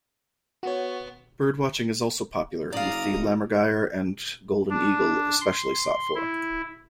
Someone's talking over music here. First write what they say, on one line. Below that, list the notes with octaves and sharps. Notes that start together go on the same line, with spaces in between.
Birdwatching is also popular, with the lammergeier and golden eagle especially sought for.
B3 F#4 C#5
F#1 D5 F5 A#5 D#6
G#1
D4
C6
E4